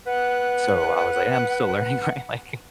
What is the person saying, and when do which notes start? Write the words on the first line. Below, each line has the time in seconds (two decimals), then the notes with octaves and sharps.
so I was like, "I'm still learning, right?" Like
0.07 B4 F#5